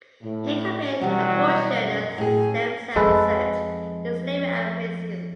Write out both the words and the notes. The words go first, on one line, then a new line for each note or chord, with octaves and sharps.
He compared abortion and stem-cell research to slavery and racism.
A2
B2 E3 F#3 G3
F#2
A2 G#4
F2 G#3 A4 B4